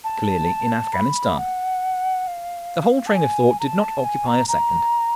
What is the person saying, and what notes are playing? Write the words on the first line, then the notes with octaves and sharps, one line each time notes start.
Clearly in Afghanistan.' The whole train of thought did not occupy a second.
A5
B5
F#5
F5
A5
G#5
A#5
A5
G#5
A#5
A#5